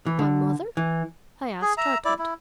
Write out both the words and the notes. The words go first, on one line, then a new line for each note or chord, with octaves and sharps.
"My mother?" I asked, startled.
E3
D3
E3
G#4
E5 A#5
E4 D5
E4